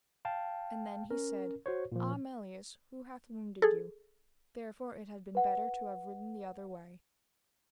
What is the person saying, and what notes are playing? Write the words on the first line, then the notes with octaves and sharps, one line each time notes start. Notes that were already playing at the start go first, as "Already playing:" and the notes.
And then he said: Ah Melias, who hath wounded you? therefore it had been better to have ridden the other way.
F5 G5 A5
C#4 A#4
F#4 C5 C#5
A#2 F3
G#4 A4
B4 F#5